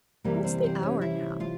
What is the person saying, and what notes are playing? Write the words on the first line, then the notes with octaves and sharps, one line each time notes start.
What's the hour now?
C3 E3 G3 A#3 A#4
C4 C5
C4 C5
C#4 C#5
E4 E5
F4 F5